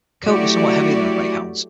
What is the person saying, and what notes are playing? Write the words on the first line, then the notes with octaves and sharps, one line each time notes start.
The coat is somewhat heavier than a Greyhound's.
F#3 A3 E4 F#4 G4 D5